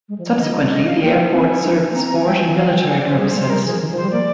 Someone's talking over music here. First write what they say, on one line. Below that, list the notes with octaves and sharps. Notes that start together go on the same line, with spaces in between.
Subsequently, the Airport served sport and military purposes.
G#3
F3
F3
D#3 D#5
F3
D5
G3
G#3 D#5
F5
A#3 G5
C4 G#5
D4
A#3
C4 A#5
A#5
C4
G#5
G#3 G5
G3
D#3 G#5
F3 F5
G5
G3
G#5
G#5
D5
C5
G3 G#4
C5
G#3
C5
G3 A#4
F3 G#4
D#3
F3
C5
G3
A#3 D5